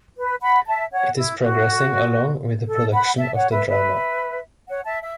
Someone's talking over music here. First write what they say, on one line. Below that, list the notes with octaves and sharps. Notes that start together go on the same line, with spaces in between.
It is progressing along with the production of the drama.
B4
F#5 B5
E5 A5
C#5 F#5
E4
F#4
A4
F#5 B5
E5 A5
C#5 F#5
B4 E5
B4 E5
C#5 F#5
E5 A5
E5